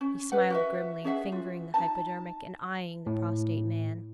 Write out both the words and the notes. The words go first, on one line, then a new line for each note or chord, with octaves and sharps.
He smiled grimly, fingering the hypodermic and eyeing the prostrate man.
C#4
B4 F#5
F#4 B4 E5
C#4 G#4 E5 F#5
F4
D#4 A5
A2